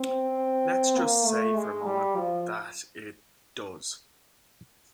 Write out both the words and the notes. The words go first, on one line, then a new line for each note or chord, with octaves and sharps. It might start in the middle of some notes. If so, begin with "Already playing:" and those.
But let's just say for a moment that it does.
Already playing: C4
A#3
A3
G#3
G3
F3